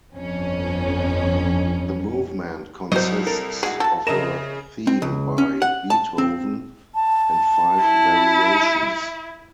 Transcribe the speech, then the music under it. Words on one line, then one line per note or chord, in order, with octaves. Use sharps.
The movement consists of a theme by Beethoven and five variations.
G1 F2 C#4
C2 F#3 C5 D#5
A4 A#4
G#3 F#4 G#4
F#4 A4 A5
C#3 A#4 D#5 E5 E7
C4
C#2
C#4
F#5
A5
C4
A5
E4